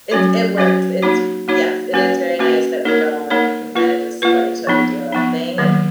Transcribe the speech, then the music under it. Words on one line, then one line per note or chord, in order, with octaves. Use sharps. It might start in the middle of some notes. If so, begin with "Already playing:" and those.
it's it works, it's Yes, it is very nice that we don't we kinda just let each other do our own thing, and,
F#3 C#4 F#4 C#5
F#3 C#4 F#4 C#5
A#3 D#4 F#4 C#5
A#3 D#4 F#4 C#5
A#3 C#4 F#4 B4
A#3 C#4 F#4 B4
A#3 D#4 A#4 C#5
A#3 D#4 A#4 C#5
A#3 F4 B4
A#3 F4 B4
F3 B3 D#4
F3 B3 D#4
D#3 F#3 A#3